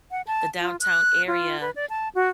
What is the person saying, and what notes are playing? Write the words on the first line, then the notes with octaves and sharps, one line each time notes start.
The downtown area
F#5
A5
F4
F#6
F4
B4
D5
A5
F#4